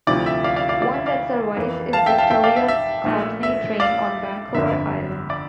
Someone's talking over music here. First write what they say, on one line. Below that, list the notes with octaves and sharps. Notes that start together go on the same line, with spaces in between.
One that survives is Victoria - Courtenay train on Vancouver Island.
D2 C3 F3 A3 E4 D5
E5
D5 F5
D5 F5
D5 F5
D5
E5
D5 F5
F2 E3 A#3
F5 A5
E5 G5
F5 A5
E5 G5
D5 F5
E5
E5
A#1 A#2 A3
E5
D5 F5
G1 F2 D3 E5
D5